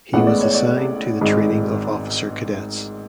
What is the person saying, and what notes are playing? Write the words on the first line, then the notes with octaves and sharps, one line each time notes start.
He was assigned to the training of officer cadets.
A1 A2 G#3 B3 F#5
D5
C#5
D5
G#1 G#2 G#3